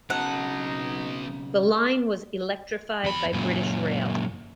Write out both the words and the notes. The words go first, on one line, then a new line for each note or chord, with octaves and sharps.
The line was electrified by British Rail.
B1 C#3 F#3 B3 D#4 F#5 A5
E2 B5
F#2 A#2